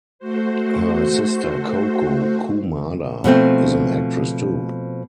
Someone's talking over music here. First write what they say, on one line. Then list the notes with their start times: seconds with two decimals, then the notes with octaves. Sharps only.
Her sister Koko Kumada is an actress too.
0.19 A3 F#4 C5
3.24 B2 F3 A3 C4